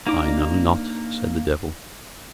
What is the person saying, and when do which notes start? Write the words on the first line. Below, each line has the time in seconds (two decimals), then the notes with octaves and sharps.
"I know not," said the devil.
0.07 A#3 D4 D#4 A#5 D6